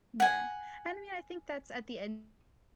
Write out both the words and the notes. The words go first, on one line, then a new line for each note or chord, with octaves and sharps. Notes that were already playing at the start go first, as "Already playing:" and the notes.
Yeah. And I mean, I think that's at the end
F#5 G#5